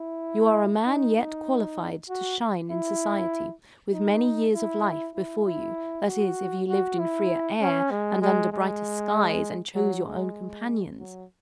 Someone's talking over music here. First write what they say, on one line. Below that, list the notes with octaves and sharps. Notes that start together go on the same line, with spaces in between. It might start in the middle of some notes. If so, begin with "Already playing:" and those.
You are a man yet qualified to shine in society, with many years of life before you; that is, if you lived in freer air, and under brighter skies, and chose your own companions.
Already playing: E4
D#4
D#4
F#4
E4
D#4
E4
E4
E4
F#4
F#4
E4
C#4
G#3
G#3
G#3
F#3
G#3
F#3